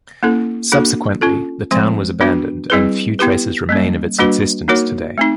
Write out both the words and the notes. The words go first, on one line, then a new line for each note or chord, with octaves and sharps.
Subsequently, the town was abandoned and few traces remain of its existence, today.
A#3 C#4 E4 A4
A#3 D4 F#4 A4
C#4 F4 A4
F3 G#3 C4
B3 D4 F#4 B4
G3 C4 E4 G#4 B4
B3 E4 G4 B4
G3 A#3 C#4
G3 A#3 D4 F#4 B4
A#3 D#4 F#4 A#4 C#5
A3 C4 D#4